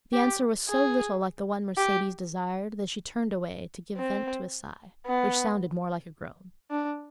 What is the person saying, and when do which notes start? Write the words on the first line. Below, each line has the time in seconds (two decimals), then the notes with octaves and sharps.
The answer was so little like the one Mercedes desired, that she turned away to give vent to a sigh, which sounded more like a groan.
0.13 G4
0.69 G#4
1.77 G4
3.97 C4
5.06 B3
6.71 D4